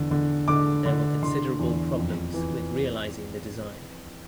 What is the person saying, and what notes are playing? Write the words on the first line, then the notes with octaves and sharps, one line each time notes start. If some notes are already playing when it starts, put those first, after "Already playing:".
There were considerable problems with realising the design.
Already playing: E2 D3
D3
D3 D6
D3
D3 C6
E2
F2
E3